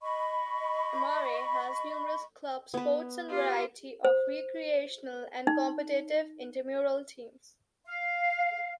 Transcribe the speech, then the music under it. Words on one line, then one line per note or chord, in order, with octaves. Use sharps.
Emory has numerous club sports and a variety of recreational and competitive intramural teams.
D#5 B5 C#6
B3 B4
F4 G4
C5
D#4
F5